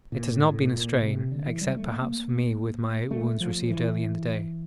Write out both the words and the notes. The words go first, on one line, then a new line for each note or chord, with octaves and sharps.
It has not been a strain, except perhaps for me with my wounds received early in the day.
A#2
A2
A2
A#2
C3
D3
E3
G3
A3
A#3
A3
F3
E3